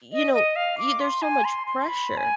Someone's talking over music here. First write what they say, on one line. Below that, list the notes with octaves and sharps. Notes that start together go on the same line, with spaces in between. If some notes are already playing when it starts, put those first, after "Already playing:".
you know, y there's so much pressure
D#5
D#5
F5
D6
C6
G#5
C6
C6
B5
G#5